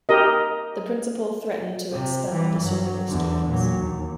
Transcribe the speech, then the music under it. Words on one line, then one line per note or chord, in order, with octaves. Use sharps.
The principle threatened to expel disorderly students.
G4 A#4 D#5
C3
E3 G3
G2 F#3
E2 D3
A#2 F#3
D#2